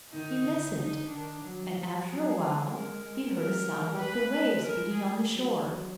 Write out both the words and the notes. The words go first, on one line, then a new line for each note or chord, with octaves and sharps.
He listened, and after a while he heard a sound like the waves beating on the shore.
D#3 D#4
D3
D3 D#4
D#3 D4
F#3
F3
F#3 G#4
G#3
A#4
F#3 A#4
G#3
B4
A#4
G#4
F#3
F#3